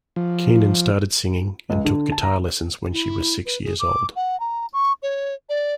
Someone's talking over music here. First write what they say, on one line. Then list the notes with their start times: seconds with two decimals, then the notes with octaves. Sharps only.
Keenan started singing and took guitar lessons when she was six years old.
0.16 F3
1.70 C#2
1.85 D3
2.12 A5
2.23 A#5
2.93 E4
3.46 B4
3.64 G#4
3.80 D6
4.16 F#5
4.40 A#5
4.73 C#6
5.03 C#5
5.49 D5